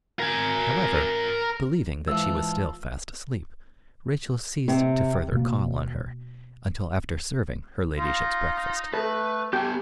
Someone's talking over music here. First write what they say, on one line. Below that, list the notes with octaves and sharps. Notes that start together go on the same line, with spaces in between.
However, believing that she was still fast asleep, Rachel ceased to further call on her until after serving her ladyship's breakfast.
A#4 G#5
G#2 E3 F4 A5 E6
C3
B2 A#3
D#4 F4
A3 A4 B4
B3 G4 A4 G#5